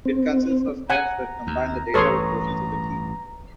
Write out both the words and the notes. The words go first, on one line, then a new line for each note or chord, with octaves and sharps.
It consists of steps that combine the data with portions of the key.
C4
F#5 G#5 A#5
D#2
A1 G2 A4 B4 C#5 C6 C#6 D#6